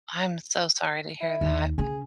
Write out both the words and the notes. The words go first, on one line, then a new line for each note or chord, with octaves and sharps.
I'm so sorry to hear that.
E4
D#2
C#3 C#4 G#4